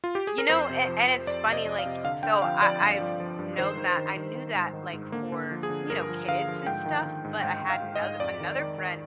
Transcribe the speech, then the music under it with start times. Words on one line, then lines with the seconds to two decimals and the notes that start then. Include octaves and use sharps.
you know, a and it's funny, like, so I I've known that I knew that like for, you know, kids and stuff, but I had anoth another friend
0.04 F4
0.15 G4
0.27 G#4
0.38 A#4
0.49 F2 C5
0.70 C3
0.88 F3
1.07 F2
1.27 F2 D5
1.47 C3
1.53 D#5
1.65 F2
1.78 F5
1.85 C3
2.04 D3 F5
2.23 D3 G5
2.42 F3 F5
2.62 F3 D5
2.81 G2
3.00 F3
3.20 F3
3.39 G2
3.58 D#3 C5
3.77 D#3
3.97 D#3
4.16 D#3
4.35 D#3
4.55 G#2
4.73 D#3
4.93 G#2
5.12 D3 A#3
5.32 D3
5.51 F3
5.63 G#4
5.70 D3
5.90 G2 A#4
6.09 F3
6.28 D3 F5
6.48 F3
6.67 G#2 G5
6.86 D#3
7.06 D#3
7.24 G#2
7.43 G#2 G5
7.63 G#2
7.70 F5
7.82 G#2
7.96 D#5
8.01 G#2
8.20 F2 D5
8.40 D#3
8.60 D#3
8.78 D#3